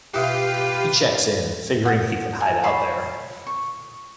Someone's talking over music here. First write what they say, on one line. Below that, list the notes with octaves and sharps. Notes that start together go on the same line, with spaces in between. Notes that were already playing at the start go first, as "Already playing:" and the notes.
He checks in, figuring he can hide out there.
B2 F4 G4 B4 E5 F5 F#6
F#5 D#6
G#5
C#5 A5 B5 C6
C#6